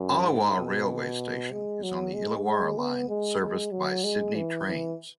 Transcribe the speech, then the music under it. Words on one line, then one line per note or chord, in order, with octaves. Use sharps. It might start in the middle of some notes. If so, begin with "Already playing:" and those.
Allawah railway station is on the Illawarra line serviced by Sydney Trains.
Already playing: F#2
G#2
B2
G#3
F#3
G#3
G#3
B3
G#3
G#3
F#3
G#3
E3
E3